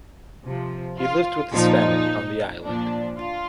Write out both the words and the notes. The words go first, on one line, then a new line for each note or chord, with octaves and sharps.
He lived with his family on the Island.
C3 F3
F4
A#2 F3 D#4
A#2 F3 D4
F4